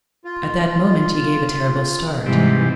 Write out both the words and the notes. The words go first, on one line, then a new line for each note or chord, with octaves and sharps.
At that moment, he gave a terrible start.
F4
G#2 C3 E3 G3